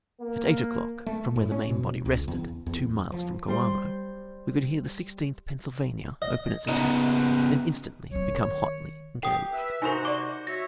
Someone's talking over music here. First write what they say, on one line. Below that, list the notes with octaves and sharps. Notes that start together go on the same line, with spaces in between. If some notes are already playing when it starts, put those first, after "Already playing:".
At eight o'clock, from where the main body rested, two miles from Coamo, we could hear the Sixteenth Pennsylvania open its attack and instantly become hotly engaged.
A#3
A3
A2
C#4
B2
C#2
E2
E2
F3
G3 C5 C6
D#5
C#3 B3 D#4
F#3 C#4 C#5
D#3
G4 G5 D#6
B4 E5
C3 D#4 F#4 A#4 C5 G#5
D5 C#6 D6
F#4 C#5 E5 A#6